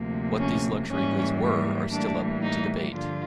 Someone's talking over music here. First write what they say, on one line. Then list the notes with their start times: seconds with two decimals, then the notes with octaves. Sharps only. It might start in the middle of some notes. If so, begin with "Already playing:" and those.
What these luxury goods were are still up to debate.
Already playing: D2 C3 F3 A#3
0.39 C#4
0.90 G#2 E3 G3 A#3 C#4
1.92 A2 E3 G3 A#3 D4
2.43 D#4
2.94 G2 D3 F3 F4